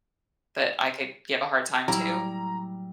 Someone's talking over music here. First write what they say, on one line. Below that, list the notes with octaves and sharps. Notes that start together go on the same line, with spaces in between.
that I could give a hard time to
A2 F#3 G3 E4 D5 A#5